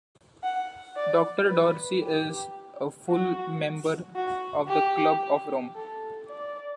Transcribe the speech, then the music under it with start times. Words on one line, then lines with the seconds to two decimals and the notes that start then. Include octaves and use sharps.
Doctor Dorsey is a "Full member" of the Club of Rome.
0.43 F#5
0.96 D5
1.49 B4
2.02 G4
3.10 F#4
4.16 F#4
4.68 G4
5.75 A4
6.28 D5